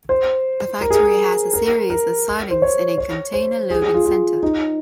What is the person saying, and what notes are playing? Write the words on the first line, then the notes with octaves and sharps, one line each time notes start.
The factory has a series of sidings and a container loading centre.
C5
A#4
G#4
A#4
A#4
A#4
C5
C#5
C#5
C5
G#4
G#4
F4
F4
D#4